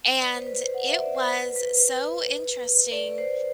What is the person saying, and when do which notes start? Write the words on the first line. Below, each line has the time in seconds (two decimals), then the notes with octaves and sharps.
and it was so interesting
0.20 D5
0.34 C5
0.47 B4
0.60 C5
0.74 F#5
0.87 E5
1.01 D5
1.15 C5
1.28 B4
1.56 B4
2.92 D5
3.18 C5